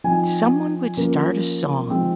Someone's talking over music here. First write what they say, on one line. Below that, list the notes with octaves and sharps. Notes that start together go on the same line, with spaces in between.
someone would start a song.
F3 C4 D#4 G#5
F3 A#3 C#4
F3 G#3 C4 D#4